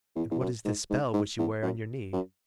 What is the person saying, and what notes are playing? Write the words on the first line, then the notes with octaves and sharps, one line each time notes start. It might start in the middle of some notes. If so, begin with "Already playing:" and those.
"And what is this bell which you wear on your knee?"
E2
E2
F#2
G#2
G#2
G#2
E2
F#2
F#2